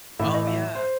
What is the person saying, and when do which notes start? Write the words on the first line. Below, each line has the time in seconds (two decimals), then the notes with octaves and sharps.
Oh, yeah.
0.19 A2 E3 E5
0.34 D#5
0.47 E5
0.75 C5